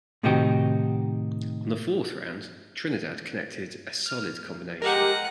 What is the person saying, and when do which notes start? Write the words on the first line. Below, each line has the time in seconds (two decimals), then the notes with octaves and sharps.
On the fourth round Trinidad connected a solid combination.
0.23 A2 C3 D#3 D#4 F#4 G4
4.06 F6
4.82 G#3 G4 A#4 F#5